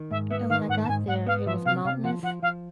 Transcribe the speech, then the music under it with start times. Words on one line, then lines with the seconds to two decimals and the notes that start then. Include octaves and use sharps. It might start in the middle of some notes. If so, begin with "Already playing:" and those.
and when I got there, it was mountainous,
Already playing: D#3
0.11 G#2 E5
0.30 B3 E5
0.49 D#3 F5
0.68 G#2 F#5
0.83 A5
0.88 G#2 G#5
1.07 G#2 F#5
1.26 B3 F5
1.46 F3 E5
1.65 C3 F5
1.85 C3 F5
2.04 F3 F#5
2.23 F3 F#5
2.42 F3 F5